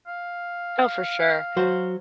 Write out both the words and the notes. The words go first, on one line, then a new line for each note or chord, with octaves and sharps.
Oh, for sure,
F5
F#3 F#4 C5